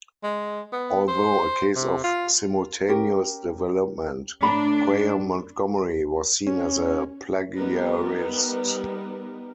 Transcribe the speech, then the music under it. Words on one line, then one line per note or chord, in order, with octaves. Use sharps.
Although a case of simultaneous development, Graham-Montgomery was seen as a plagiarist.
G#3
B3
C5
C3
F4
C#4 G4 A#4
A2 D4 A#5 B5
C#4
G3 B3 D#4 A#4 B4